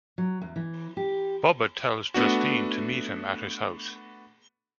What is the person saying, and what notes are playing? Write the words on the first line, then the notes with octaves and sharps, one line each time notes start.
Bubba tells Justine to meet him at his house.
F#3
E2
E3
G4
A3 B3 D4 F#4